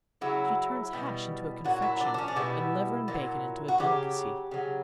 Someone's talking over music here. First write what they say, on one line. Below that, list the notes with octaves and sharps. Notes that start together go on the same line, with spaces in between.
She turns hash into a confection and liver and bacon into a delicacy.
C#3 F#3 E4
B2 G3
A#2 F#3 F#4
E4
D4
D4
C#4
D4
B2 G3 E4
A#2 F#3
F#4
C#3 F#3 G4
C#3 F#3